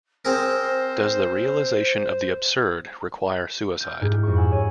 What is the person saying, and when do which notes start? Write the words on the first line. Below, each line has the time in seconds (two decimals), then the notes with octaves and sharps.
Does the realization of the absurd require suicide?
0.25 C4 G#4 A#4 C5
3.80 F6 G6
4.01 G#2 E4 G4
4.23 F2 C#6
4.37 F#5 G#5 E6
4.52 C#5 D#7